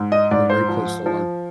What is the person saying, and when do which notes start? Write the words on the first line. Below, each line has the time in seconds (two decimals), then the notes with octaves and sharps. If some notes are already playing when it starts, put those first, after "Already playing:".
they're a great place to learn.
Already playing: G#2
0.12 D#5
0.31 G#2 D5
0.50 C5
0.69 F3
1.06 F3